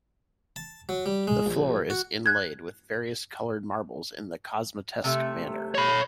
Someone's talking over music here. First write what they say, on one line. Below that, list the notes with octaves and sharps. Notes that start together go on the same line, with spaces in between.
The floor is inlaid with various colored marbles in the Cosmatesque manner.
A5
F#3
G3
G#3
A#1
F#4
F#6 G#6
C3 A3 E5
C#5 B5